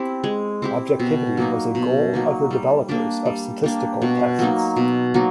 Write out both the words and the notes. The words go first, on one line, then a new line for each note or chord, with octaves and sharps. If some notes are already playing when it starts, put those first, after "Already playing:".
Objectivity was a goal of the developers of statistical tests.
Already playing: C4 E4 G4
G#3
C4 E4 G4
B2
F#3 A#3 D#4
B2
F#3 A#3 D#4
G3
A#3 D4 G4
G3
A#3 D4 G4
B2
F#3 A#3 D#4
B2
F#3 A#3 D#4